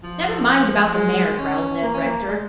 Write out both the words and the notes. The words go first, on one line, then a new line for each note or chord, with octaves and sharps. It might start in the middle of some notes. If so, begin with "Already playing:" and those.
"Never mind about the mare," growled Ned Rector.
F3
G#3
C#4
A#3
C#4
A#3
G#3